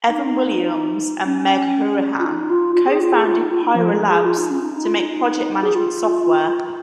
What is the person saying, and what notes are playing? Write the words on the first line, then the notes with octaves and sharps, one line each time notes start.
Evan Williams and Meg Hourihan co-founded Pyra Labs to make project management software.
D#4
D#4
C#4
F4
D#4
F4
F4
G#4
F4
G#4
F4
D#4
F4
D#4
F3
G#3
G#4
F4
D#4
C#4
D#4
D#4
F4
D#4
G#4
F4